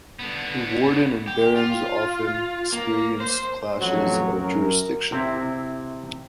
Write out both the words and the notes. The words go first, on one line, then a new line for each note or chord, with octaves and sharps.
The warden and barons often experienced clashes of jurisdiction.
D3 B3
G4
F4
A#3
C5
A1 F2 F#3
F#2 A#4
C3 C4 E4